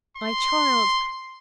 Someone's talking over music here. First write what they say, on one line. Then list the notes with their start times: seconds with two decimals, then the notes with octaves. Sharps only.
My child!
0.17 C6